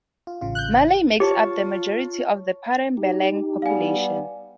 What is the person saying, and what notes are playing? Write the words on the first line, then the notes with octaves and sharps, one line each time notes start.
Malay makes up the majority of the Padang Balang population.
F4
A1 C#3 F4
F#6 G6
F4 G4 C#5 A5
D#4 G4
G3 B3 F5 G#5